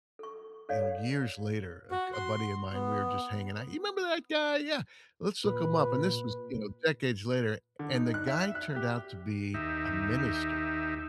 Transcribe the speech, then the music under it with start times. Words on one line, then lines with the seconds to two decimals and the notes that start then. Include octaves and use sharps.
you know, years later. A g a buddy of mine, we were just hanging out, "You remember that guy?" "Yeah, let's look him up." This was, you know, decades later, and the guy turned out to be a minister.
0.19 A4 C#6
0.69 A4 C#5 D5 F5
1.91 F#4
2.13 C6
2.73 B3
5.45 A#2 B4
7.79 D3
7.94 D#4
8.14 F#6
8.27 E5
8.55 F#6
8.76 G4
9.54 D#2 D#4 G4 E5